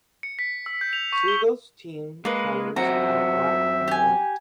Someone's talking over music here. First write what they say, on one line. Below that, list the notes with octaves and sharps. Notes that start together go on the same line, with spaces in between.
Sligo's team colours are black and white.
C#7
B6
E6
G6
F7
C#6
G7
G#3 A#3 B4
F#2 C4 F#4 E5 A#5
G4 G#5